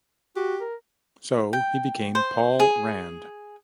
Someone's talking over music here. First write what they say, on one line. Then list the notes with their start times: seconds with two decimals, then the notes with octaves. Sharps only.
So he became Paul Rand.
0.36 F#4 G4
0.61 A#4
1.53 G5
2.15 C5
2.60 G#4